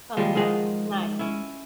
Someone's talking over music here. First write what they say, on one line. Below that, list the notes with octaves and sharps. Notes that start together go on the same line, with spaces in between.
Oh, nice, nice.
D#2 F3 G3 G#3
D#3 F3 G#3 D#4 G#4 F#5
C#4 E4